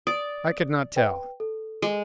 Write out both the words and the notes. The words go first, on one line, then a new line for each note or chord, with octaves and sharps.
I could not tell.
D5 D#6
B4 G5
A4
G#3